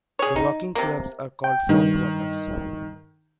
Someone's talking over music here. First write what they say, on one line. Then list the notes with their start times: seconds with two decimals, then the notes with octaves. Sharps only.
The walking clubs are called Frontwalkers.
0.19 G#4 C#5
0.36 D#4
0.75 C3 A#3
1.44 G5
1.69 G2 D#3